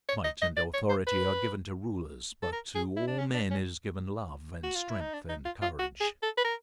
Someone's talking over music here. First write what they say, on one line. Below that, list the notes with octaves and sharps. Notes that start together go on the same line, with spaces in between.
Might and authority are given to rulers, but to all men is given love and strength and courage.
C#5
D#5
D#5
D5
C#5
C5
B4
A4
A#4
G#4
E4
D4
C#4
D4
C#4
F#4
F4
E4
D#4
D4
D#4
F4
F4
F#4
G#4
A4
B4
A#4